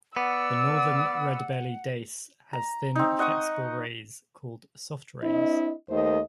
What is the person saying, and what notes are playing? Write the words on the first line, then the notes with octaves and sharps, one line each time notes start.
The Northern Redbelly Dace has thin, flexible rays called "soft-rays".
B3 D5 F#5 E6
A#5
C4 D#4
D#5 F#5 C#6 D#6
C4 D4 E4 D#5
D#2 D#3 A3 C5 D#5